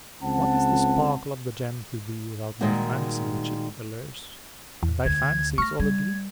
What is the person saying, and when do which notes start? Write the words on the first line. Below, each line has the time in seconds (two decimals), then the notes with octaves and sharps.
What is the sparkle of the gem to thee without thy fancy which it allures, and thy fancy is all a dream.
0.23 C#2 C4 F#5 A5
2.61 A#2 D#3 G3 G#3 D#4 F#4
4.83 E2
5.05 D2 G#6
5.58 A3 C#6 F6 A#6
5.79 G3 G#6